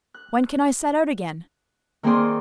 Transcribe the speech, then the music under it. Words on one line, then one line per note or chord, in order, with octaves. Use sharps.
"When can I set out again?"
F#6
D#3 A#3 C4 G#4 D5 C6